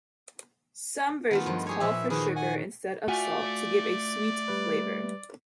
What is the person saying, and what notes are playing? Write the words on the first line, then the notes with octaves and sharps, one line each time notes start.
Some versions call for sugar instead of salt to give a sweet flavor.
D#3 A3 B3 F4
G2 F3
G4 G#4 C#5
A#2 F3 B3 E5
D#3 A#3 F#4 G#4 B4
F#5 G#5
A3 F4 F#4 D5 E5 G#5
G3 B4